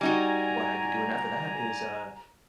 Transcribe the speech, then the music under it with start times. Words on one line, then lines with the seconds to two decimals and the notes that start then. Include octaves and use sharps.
What I'd be doing after that is, uh
0.01 G3 D#4 F#4 D5 G#5 A#5